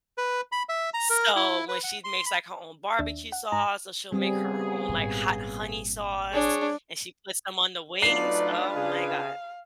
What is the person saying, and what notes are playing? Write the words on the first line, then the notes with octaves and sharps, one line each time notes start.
So, when she makes, like, her own barbecue sauce, so she'll make her own, like, hot honey sauce and she puts them on the wings, oh my god,
B4
B5
E5
A#5
A#4
E4
B4
F#5
C6
B5
D#2 D4 E5
F#5
G#2 A#5
C#3 G3 B3 C4 G#4
G#1 A#2
D4 G#4 C#5
F#3 A3 D4 D#4 F4 B4 D5 C7
C#3 G#4 F5